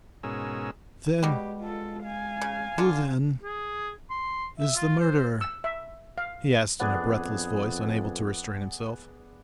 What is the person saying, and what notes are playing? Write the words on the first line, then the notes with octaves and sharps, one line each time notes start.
"Then... who then... is the murderer?" he asked in a breathless voice, unable to restrain himself.
G#2 B2 C#4 G#4 A#4 E6
B2 G3 G#3 G4
F4 A4
F5 G#5
C#3
D3 F4
G#4
C6
E5
F4
C5
E6
E5
F5
F2 B3 D4 G#4